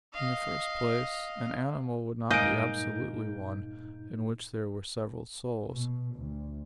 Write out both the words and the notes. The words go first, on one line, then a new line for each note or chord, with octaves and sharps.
In the first place, an animal would not be absolutely one, in which there were several souls.
D#5 F5
G2 A#2 G#3 A#3 D#4 D#5 G6 D7
B2
D2